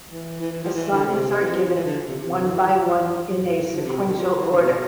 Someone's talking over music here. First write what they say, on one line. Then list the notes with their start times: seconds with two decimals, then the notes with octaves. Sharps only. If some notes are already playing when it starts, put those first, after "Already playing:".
Asanas are given, one by one in a sequential order.
0.08 E3
0.40 E3
0.52 E3
0.63 F3
0.75 E3
0.91 D3
1.07 C3
1.40 E3
1.52 F3
1.63 F3
1.75 E3
1.86 D3
2.07 C3
2.18 C3
2.29 C3
2.40 D3
2.51 E3
2.63 F3
3.40 E3
3.73 D3
3.85 C3
3.96 B2
4.07 D3
4.17 F3
4.29 F3
4.40 E3
4.52 D3
4.57 C3
4.63 B2